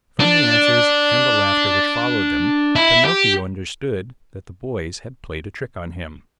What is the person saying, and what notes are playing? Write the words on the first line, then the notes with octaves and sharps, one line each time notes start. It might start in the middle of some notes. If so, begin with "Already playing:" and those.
From the answers and the laughter which followed them, Pinocchio understood that the boys had played a trick on him.
D4
E4
G4